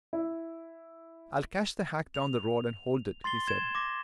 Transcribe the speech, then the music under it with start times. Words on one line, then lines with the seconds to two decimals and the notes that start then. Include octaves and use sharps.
"I'll catch the hack down the road and hold it," he said.
0.13 E4
2.14 F7
3.24 C6 A6 C7 G7
3.47 G#6 E7
3.75 D6 A#6